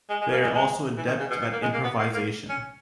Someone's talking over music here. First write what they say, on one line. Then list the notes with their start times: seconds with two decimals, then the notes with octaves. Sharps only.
They are also adept at improvisation.
0.10 G#3
0.21 G#3
0.32 A#3
0.42 G#3
0.54 G#3
0.97 E3
1.07 D#3
1.19 C#3
1.30 B2
1.41 B2
1.52 A#3
1.62 G#3
1.73 A#3
1.84 B3
1.99 A#3
2.14 A#3
2.49 C#4